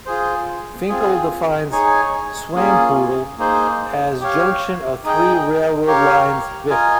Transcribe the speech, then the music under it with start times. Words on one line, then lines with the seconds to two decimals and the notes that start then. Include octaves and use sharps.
Finkel defines Swampoodle as Junction of three railroad lines, vic.
0.06 F4 G#4 C5
0.89 C4 F4 G#4
1.71 D#4 G#4 C#5 G#5
2.55 A#3 C#4 F4 G#4
3.38 A#3 D#4 G#4 C5
4.21 G4 C#5 F5
5.04 D#4 G#4 D#5 G5
5.87 G4 A#4 C#5 F5
6.70 F4 A#4 D#5 G#5